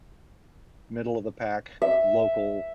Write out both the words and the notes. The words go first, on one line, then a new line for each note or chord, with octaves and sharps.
middle of the pack, local,
E5